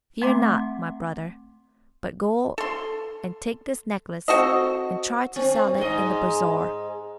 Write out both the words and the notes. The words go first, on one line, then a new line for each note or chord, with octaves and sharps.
"Fear not, my brother, but go and take this necklace, and try to sell it in the bazaar."
A3 C4 E5 F#5 C6 D6
A4 C6
C4 F#4 A4 D#5
C4
G#2 D#5